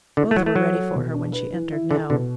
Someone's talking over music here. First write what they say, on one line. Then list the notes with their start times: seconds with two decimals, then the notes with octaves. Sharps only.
Both were ready for her when she entered now.
0.17 D3 E3
0.31 A3
0.35 E3 F#3
0.46 A3
0.55 F#3 A4
0.74 A4
0.94 B2
1.14 D4
1.32 B4
1.52 E3
1.72 E4
1.91 D3 A4
2.10 B2 D3